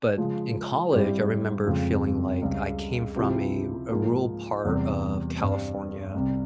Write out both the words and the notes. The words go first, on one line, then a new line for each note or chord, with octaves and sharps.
But in college, I remember feeling like I came from a a rural part of California.
C#3 F3 G#3
G2 G3 C4 E4 G4
F2 C#3 F3 G#3
C#2 C#3 G3
C3 F3 C4 E4 G4
G#2 F3 A#3
E2 C3 G3
G2 G3 C4
C2 C3 G3